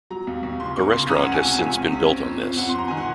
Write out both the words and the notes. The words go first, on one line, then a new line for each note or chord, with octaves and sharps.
A restaurant has since been built on this.
F#3 A#5
D#2
D#2
C#3 C6
A#3 C#6
C#3 C6
C#4 A#5
C#2 F#5
G#5
C3
C#2 G#5
C3
C#4
C4
F2
F2
F2 F#5
C6
F2 A#5
D#3 G#5
F#5